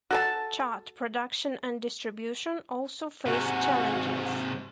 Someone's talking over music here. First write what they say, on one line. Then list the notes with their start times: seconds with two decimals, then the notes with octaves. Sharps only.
Chart production and distribution also faced challenges.
0.11 F#4 A4 A5
3.26 G#2 C3 F#4 F#5 G#5